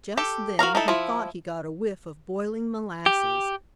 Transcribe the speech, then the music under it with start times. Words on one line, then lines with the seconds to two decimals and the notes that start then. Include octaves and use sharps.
Just then he thought he got a whiff of boiling molasses.
0.17 G4 A4
0.59 F#4 A#4 F5 A#5
0.75 D#4 E4 A4
0.88 F3 E4
3.06 G4